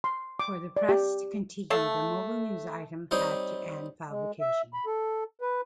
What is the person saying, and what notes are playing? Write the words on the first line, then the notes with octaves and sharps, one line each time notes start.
For the "Press" to continue, the "Mobile News-Item" had to end publication.
C6
D6
D5
G4
A3 A4 F5
G3 C4 D#4 C5 C#5
G#3
E5
B5
A4
B4